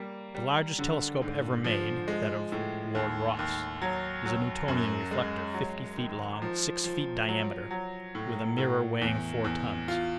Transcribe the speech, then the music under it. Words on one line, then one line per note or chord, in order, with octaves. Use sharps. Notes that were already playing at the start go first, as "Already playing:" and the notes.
The largest telescope ever made, that of Lord Rosse, is a Newtonian reflector, fifty feet long, six feet diameter, with a mirror weighing four tons.
Already playing: G3 A#3
G3
D3
G#2
F3
G#3
A2
D#2
D#2
F#3
F#3
F#2
G#3
F#3
D#3
F3
F3
F#3
F#3
A2
A2
E2
E2
F4